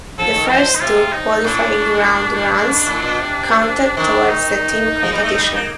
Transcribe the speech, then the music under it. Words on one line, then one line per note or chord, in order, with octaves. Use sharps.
The first two qualifying round runs counted toward the team competition.
F3 A4
D#3
F3 C5
D#4
C3 F4
D#4
A2 D4
G2
A2
A#2
C3
D#3 D4
D#4
F3
G3
A3
G3
A#3